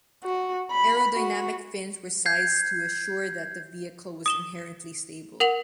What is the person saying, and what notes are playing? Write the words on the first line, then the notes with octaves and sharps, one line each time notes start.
Aerodynamic fins were sized to assure that the vehicle was inherently stable.
F#4
B5
F#4
G6 G#6 C7
D#6 E7 G7
A#4 F#5 F7 F#7